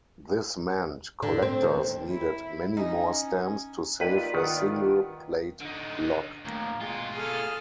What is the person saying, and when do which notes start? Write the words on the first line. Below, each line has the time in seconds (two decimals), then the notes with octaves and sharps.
This meant collectors needed many more stamps to save a single plate block.
1.22 D3
1.42 C4
1.64 D#2
2.10 E4
2.77 C#4 D#4
4.00 A#3 D#4 F4 B4 D5 G5
4.34 D#3 B4 F#5
5.61 D3 D#4
6.45 D#2 A2 A#3
6.81 B2 G#3 F4
7.15 G#4 A4 D#6 F6